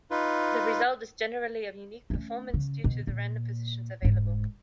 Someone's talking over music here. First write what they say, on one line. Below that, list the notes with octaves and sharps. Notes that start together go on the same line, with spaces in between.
The result is generally a unique performance, due to the random positions available.
D#4 F4 B4
A3 C#4
C#3
B2
A#2
F1 G#2